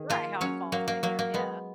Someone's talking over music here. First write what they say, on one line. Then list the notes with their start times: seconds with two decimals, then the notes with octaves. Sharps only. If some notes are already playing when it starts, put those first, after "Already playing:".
Right, how it falls that year, yeah.
Already playing: D#3 G#4
0.10 A#3 F4
0.41 F#3 C#4
0.72 F#3 A#3
0.88 A#3
1.03 F#3 A#3
1.19 A#3
1.34 G#3 B3